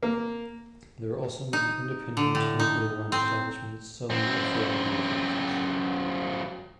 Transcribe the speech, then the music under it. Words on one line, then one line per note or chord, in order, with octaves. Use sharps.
There are also many independent, locally run establishments, selling a variety of fashions.
A#3
D#4
D3
A2
D#4
C4
F#2 C4